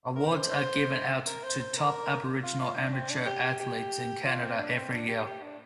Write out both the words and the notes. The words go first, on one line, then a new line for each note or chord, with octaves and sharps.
Awards are given out to top Aboriginal amateur athletes in Canada every year.
A#4
C5
A#4
C5
C5
A#4
F4
F4
D4
C4
D4
G4
G4
G4
F4
C4
D4
C4
D4
G4
G4
D4